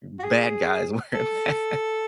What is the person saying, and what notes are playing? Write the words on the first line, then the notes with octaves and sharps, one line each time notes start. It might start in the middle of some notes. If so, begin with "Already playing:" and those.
bad guys wearing masks.
F#4
G#4
A4